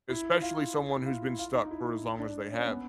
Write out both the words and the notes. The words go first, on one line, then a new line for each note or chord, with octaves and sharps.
especially someone who's been stuck for as long as they have.
E4
F4
E4
F4
E4
F4
D#4
E4
D#4
D4
C#4
B3